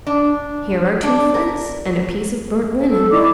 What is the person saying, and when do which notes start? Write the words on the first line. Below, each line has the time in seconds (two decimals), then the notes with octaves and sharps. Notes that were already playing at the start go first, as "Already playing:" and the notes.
"Here are two flints and a piece of burnt linen."
0.07 D4
1.03 D4
1.34 A#4
2.74 A#3
2.88 A4
3.11 D#3 E4 D5 D6